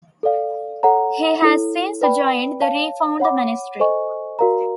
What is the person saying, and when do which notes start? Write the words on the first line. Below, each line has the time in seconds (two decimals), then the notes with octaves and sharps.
He has since joined the reformed Ministry.
0.23 A4 D5 F5
0.83 A4 C#5 F#5 A#5
1.42 E4 A4 C#5
2.01 B4 D5 G5 B5
2.60 C#5 F5 A5
3.20 C#5 F#5 B5 D6
3.80 A4 C5 D#5 G#5 C#6
4.39 F#4 A#4 D5 F5 A#5